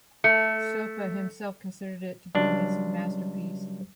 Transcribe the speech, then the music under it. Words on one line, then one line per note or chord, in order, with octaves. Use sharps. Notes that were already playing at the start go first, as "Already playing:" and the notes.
Sofa himself considered it to be his masterpiece.
A3 C#7
C#2 F#3 G3 D4